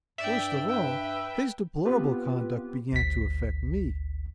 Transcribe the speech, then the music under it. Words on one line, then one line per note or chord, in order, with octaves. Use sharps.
Worst of all, his deplorable conduct began to affect me.
G2 D5 E5 G5
B4 G5
B3 C4 F4 G4 B4
G#1 D2 B6